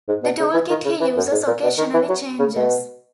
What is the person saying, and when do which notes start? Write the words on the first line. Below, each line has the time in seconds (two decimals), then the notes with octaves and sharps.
The toolkit he uses occasionally changes.
0.08 G#2
0.24 B2
0.40 C#3
0.54 E3
0.70 D#3
0.85 C#3
1.01 E3
1.17 F#2
1.32 G#2
1.47 A#2
1.63 B2
1.78 D#3
1.94 E3
2.09 F#3
2.39 C#3
2.56 B2